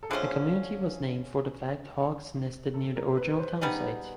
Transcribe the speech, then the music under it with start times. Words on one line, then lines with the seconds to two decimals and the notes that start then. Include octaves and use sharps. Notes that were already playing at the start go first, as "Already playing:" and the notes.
The community was named for the fact hawks nested near the original town site.
0.03 A4
0.10 D3 F3 A3 C#4 G#4
2.74 A4
2.96 A#4
3.17 B4
3.32 B4
3.39 C5
3.61 G3 B3 D#4 G#4